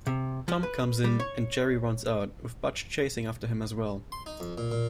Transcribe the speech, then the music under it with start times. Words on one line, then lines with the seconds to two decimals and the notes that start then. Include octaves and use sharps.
Tom comes in, and Jerry runs out, with Butch chasing after him as well.
0.07 C3
0.48 F3
0.63 B4
1.04 G3
1.20 C#5
4.12 C6
4.26 D#4
4.40 F2
4.58 A#2
4.72 A#2